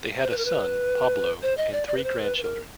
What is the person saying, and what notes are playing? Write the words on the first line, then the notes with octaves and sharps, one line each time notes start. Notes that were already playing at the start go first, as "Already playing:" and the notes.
They had a son, Pablo, and three grandchildren.
C5
B4
A#4
B4
C5
D#5
D5
D5
B4
C5
A#4
B4
B4
A#4